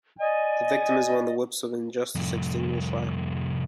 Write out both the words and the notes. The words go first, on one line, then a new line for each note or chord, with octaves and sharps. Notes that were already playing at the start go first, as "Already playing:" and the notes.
The victim is when the whips of injustice extinguish life.
D5 D#5 G#5
C2 F2